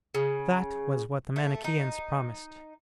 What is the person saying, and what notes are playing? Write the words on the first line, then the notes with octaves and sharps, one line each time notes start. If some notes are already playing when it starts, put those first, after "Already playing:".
That was what the Manicheans promised.
C#3
A3
D#4